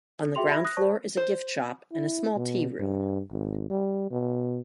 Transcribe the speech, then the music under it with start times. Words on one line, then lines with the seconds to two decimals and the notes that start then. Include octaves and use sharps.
On the ground floor is a gift shop and a small tea room.
0.22 A4
0.35 F#4 G#4 E5 G5 C6 F7
0.51 E5 B5 G#6 A#6
0.65 D#6 F#6 A#6
0.77 C5 D5 A5 C#6
1.17 C5
1.92 E4
2.37 B2
2.80 G2
3.32 G#1
3.70 G3
4.11 B2